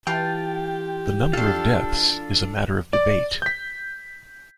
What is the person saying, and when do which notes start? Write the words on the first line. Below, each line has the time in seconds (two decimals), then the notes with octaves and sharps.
The number of deaths is a matter of debate.
0.07 E3 F4 G4 G5 A5
1.33 D4 F4 A4 F5
2.93 D5
3.42 G6 B6